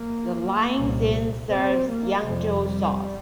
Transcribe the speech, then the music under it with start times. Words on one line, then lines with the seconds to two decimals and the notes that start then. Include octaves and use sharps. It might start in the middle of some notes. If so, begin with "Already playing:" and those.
The line then serves Yangzhou South.
Already playing: A#3
0.75 C2 A#2
1.51 C4
1.89 A#3
2.27 F2 C3 G3